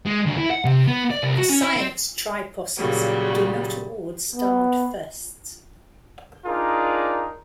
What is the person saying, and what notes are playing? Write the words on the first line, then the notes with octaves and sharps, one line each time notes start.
The science Triposes do not award Starred Firsts.
G#3
D2
E4
F#5
C3
B3
D5
C2
F#4
C#4
E4
C4
A#2 C#3 F#3 G3
B3
D4 D#4 F4 G#4 A#4 D5